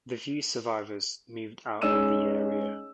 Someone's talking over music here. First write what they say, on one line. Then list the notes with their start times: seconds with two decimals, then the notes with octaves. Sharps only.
The few survivors moved out of the area.
1.81 G#3 C#4 D#4 E6 D#7 E7